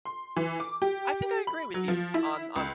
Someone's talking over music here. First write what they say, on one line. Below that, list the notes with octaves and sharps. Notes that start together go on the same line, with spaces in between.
I think I agree with you on on
C6
E3
D6
G4
B5
F#3
F3
E4
C#2